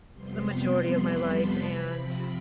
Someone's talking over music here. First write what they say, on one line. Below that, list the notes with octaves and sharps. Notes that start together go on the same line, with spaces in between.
the majority of my life, and
F2 C3 G3 B3 C6
C6
B5
A5
C3 F3 C4 B5